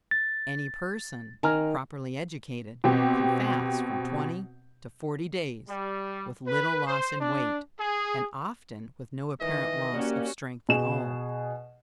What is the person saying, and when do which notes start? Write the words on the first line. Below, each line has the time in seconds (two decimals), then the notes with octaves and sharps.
Any person, properly educated, can fast from twenty to forty days with little loss in weight, and often with no apparent loss of strength at all.
0.11 A6
1.43 D#3 G#5 A#5 F6
2.84 B2 C4 G4
5.68 G3
6.47 B4
6.86 C5
7.20 D4
7.79 G#4
9.41 D#3 E3 D#5
9.93 G3 A#3 C#4 F#4 G4
10.69 B2 G#4 E7